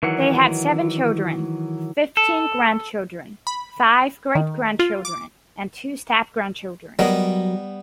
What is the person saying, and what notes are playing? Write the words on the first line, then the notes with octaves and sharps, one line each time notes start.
They had seven children, fifteen grandchildren, five great-grandchildren, and two step-grandchildren.
D#3 E3 F#3 F#5
A4
B5
D#3
F4
D6
F#3 G3 B3 A#4 D#5